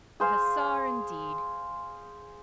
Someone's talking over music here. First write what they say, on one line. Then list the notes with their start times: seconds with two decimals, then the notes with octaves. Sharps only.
A hussar indeed!
0.20 G#4 C5 F5 G#5